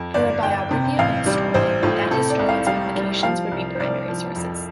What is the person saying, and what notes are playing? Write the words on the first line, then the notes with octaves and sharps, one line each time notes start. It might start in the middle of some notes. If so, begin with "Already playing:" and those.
For a biography of a historian, that historian's publications would be primary sources.
Already playing: F2
G1 D5
G1 G5
C3
A1 F5
G3 D5
A1 C5
A2 F4
C3 A4
D5
C2
F5
G3 F5
G3
F3 F5
C2
C5
C2 D5
F3
F2